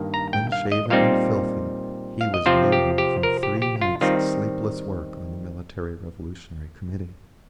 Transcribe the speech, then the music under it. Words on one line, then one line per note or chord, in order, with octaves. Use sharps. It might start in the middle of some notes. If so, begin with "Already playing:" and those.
Unshaven and filthy, he was reeling from three nights' sleepless work on the Military Revolutionary Committee.
Already playing: G2 D#3 A#3
A#5
G5
F5
D#5
A#2 G3 C4 D#4 F5
F5
D#5
C3 F3 C4 F4 C5
G4
G4
A#4
G4
G4
F4
D#3 G3 C4 D#4 F4